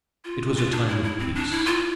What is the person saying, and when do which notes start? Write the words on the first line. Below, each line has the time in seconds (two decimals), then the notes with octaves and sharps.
It was a time of peace.
0.25 F4
0.57 F4
0.72 D4
0.88 E4
1.03 E4
1.19 C4
1.35 D4
1.51 E4
1.66 F4